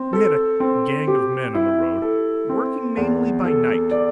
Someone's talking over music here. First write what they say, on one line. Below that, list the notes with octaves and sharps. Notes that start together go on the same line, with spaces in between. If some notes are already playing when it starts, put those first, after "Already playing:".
We had a gang of men on the road, working mainly by night.
Already playing: C4
A4
C4
G4
E4
A4
C4
E2
A4
D5